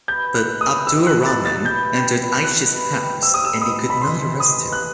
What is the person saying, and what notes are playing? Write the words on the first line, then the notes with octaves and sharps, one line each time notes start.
But 'Abdur Rahman entered 'Aisha's house and they could not arrest him.
B3 G6
B2 F#6
E4 D#6
G3 E6
F#6
B3
A6
B2
A6
E4 G6
G3
B3
B2 F#6
E4
G3
C4 E6
D#6
E3 E6
D#6
E3
B5
A3 C6
C4
D#6
E3
F#6